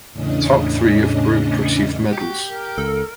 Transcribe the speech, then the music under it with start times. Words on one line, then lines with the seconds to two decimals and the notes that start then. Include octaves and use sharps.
The top three of group received medals.
0.12 E2 A2 C#3 C#4 D4 D#5
2.13 F#4 G4
2.48 A#4
2.78 C#2 A4